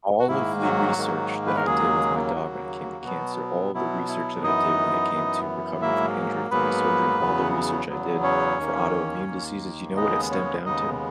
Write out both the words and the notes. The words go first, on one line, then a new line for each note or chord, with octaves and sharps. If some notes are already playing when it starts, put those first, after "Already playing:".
All of the research that I did with my dog when it came to cancer, all the research that I did when it came to recovering from injury from my surgery, and all the research I did for autoimmune diseases, you know what it stemmed down to?
F#4
G#2 D#3 A#3 E4
F#3 F#4
G#2 D#3 A#3
B4
A#4
D#2 C#3 F#3 G#3 A#3 G#4
D#2 C#3 F#3 A#3 F#4
B2 F#3 B3
B2 F#3 B3 E4
E4
F#2 E3 B3 D#4 D#5
F#2 E3 B3
G#2 F#3 A#3 E4 E5
G#2 F#3 A#3 B3 B4
E2 C#3 F#3 B3
E2 C#3 F#3 B3
C#4 C#5
D#2 D#3 A#3
D#2 D#3 A#3
D#2 C#3 G#3 B3 D#4 D#5
C#4 C#5
D#2 C#3 G#3 B3 D#4 D#5